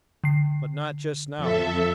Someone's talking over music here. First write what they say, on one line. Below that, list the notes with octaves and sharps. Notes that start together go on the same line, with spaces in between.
But not just now.
D3 C7
F2 A4 E5